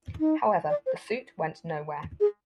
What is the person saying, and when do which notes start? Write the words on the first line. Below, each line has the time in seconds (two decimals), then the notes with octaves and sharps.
However, the suit went nowhere.
0.20 D#4
0.70 D5
0.86 C5
2.20 G#4